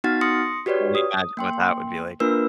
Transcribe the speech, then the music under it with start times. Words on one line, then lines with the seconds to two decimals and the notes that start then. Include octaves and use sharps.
I can only imagine what that would be like.
0.04 B3 D#4 F#4 F#5 F6 A6
0.21 C6 D#6 A#6 C#7
0.66 F#4 G4 B4 C#5 D5
0.95 D#6
1.37 A#3 G5 C6
2.20 A#3 D4 F4 A#4 B4 E6